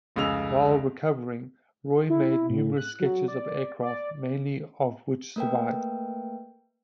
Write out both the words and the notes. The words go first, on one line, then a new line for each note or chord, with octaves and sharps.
While recovering, Roy made numerous sketches of aircraft - many of which survive.
F1 C#2 C#3 D#5 E6 F7
E4
A2
F#6
F#3
D5
D5
A3 A#3 A#4 B4 G5